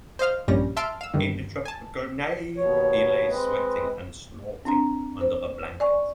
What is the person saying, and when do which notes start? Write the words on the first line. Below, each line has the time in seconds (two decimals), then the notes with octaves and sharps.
In the tropical night he lay sweating and snorting under a blanket.
0.19 C5 D#5 F5 F6
0.48 A#1 G2 A#2 G3 C#4 A#6
0.77 E5 A5 C6 E6 F6 D7
1.01 F5 E6
1.14 G2 D3 D#3
1.65 G#5 A5
2.57 D#2 B2 C#5
3.30 G#3 C4 B4 D#5
4.65 C4 D4 A#5
5.21 C5
5.80 D5 G#5 C#6